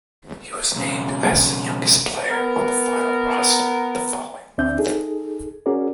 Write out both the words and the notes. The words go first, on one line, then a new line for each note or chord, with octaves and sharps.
He was named as the youngest player on the final roster the following month.
B1 C#3
B3 A#4
D2 C4 D4 D5 E5 G6
D#4 G#4 A4
C#4 F#4 G#4 A#4 D5